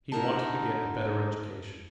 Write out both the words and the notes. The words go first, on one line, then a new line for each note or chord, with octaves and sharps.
He wanted to get a better education.
D3 D#4 E4 A#4 A5